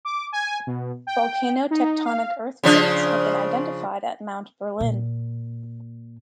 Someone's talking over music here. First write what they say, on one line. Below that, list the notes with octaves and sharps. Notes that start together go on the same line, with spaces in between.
Volcano-tectonic earthquakes have been identified at Mount Berlin.
D6
G#5
B2
G5
D#4
F5
C#3 F3 D4
A#2